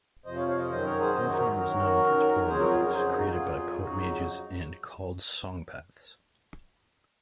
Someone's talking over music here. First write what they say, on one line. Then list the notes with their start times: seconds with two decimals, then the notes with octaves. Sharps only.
Illefarn was known for its portal networks, created by poet-mages and called song-paths.
0.25 F2 C3 F3 C5 D#5
0.36 C#5 F5
0.48 C#5 F5
0.58 C5 D#5
0.70 F#2 D#3 F#3 C5 D#5
0.85 A#4 C#5
1.00 G#4 C5
1.14 F#2 D#3 F#3 C5 D#5
1.25 D#4 F#4
1.37 F#4 A#4
1.59 F#2 D#3 F#3 F#4 A#4
2.04 F#2 D#3 F#3
2.48 F2 C#3 F#3 G#4 C5
2.59 F#4 A#4
2.70 F4 G#4
2.81 F#4 A#4
2.92 F2 C#3 F#3 G#4 C5
3.10 G#4
3.15 D#4 F#4
3.25 F4 G#4
3.38 F2 C#3 F#3
3.81 F2 C#3 F#3 D#4 F#4